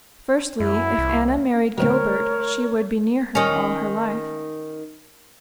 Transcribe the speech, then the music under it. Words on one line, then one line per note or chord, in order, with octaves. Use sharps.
Firstly, if Anna married Gilbert she would be near her all her life.
F#2 E4
C2
D2 B2 F#3 A3 A#4 C5 C#5 G5
D#3 C#4